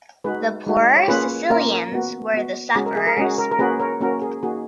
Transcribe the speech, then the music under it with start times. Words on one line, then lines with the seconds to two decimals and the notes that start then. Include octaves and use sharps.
The poorer Sicilians were the sufferers.
0.24 G#3 D#4 F#4 G#4 B4
0.66 G#3 D#4 F#4
0.97 C#5
1.08 A#3 C#4 F4 G#4 B4
1.50 A#3 C#4 F4 A#4
1.71 A#4
1.92 B3 F#4
2.34 B3 F#4
2.75 G#3 C#4 F#4 G#4
2.86 A#4
2.96 G#4
3.07 A#4
3.17 G#3 C#4 F#4 G#4
3.38 A#4
3.51 A#4
3.59 A#3 C#4 F#4 G#4 B4
3.80 A#4 C#5
4.01 A#3 C#4 F#4 A#4
4.22 G#4
4.43 A#3 D#4 F#4 G#4